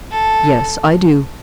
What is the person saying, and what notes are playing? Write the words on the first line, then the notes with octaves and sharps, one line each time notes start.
"Yes, I do."
A4